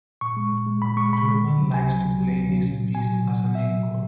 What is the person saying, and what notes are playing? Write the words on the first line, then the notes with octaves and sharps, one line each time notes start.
Turban likes to play this piece as an encore.
A#2 C#6
G#3
A#2
G#3
A#2 B5
G#3 C#6
A#2 B5
G#3
C#2
C#3 F#3
C#2 G#5
C#3 F#3
C#2
C#3 F#3
C#2
C#3 F#3
A#2
F#3
A#2 G#5
F#3
A#2
F#3
A#2 E5
F#3